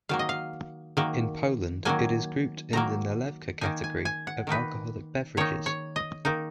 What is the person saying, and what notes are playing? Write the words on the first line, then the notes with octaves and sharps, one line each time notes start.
In Poland it is grouped in the nalewka category of alcoholic beverages.
D#3 F#3 A#3 F5
D#5
F5
D#3 F#3 A#3
D#3 F#3 A#3 G#5
D#3 F#3 A#3 A#5
D#3 A#3 D#4 G#5
G#5
G#5
F#5
D#3 A#3 D#4 B4
D#3 A#3 D#4 C#5
C#5
D#5
D#3 A#3 D#4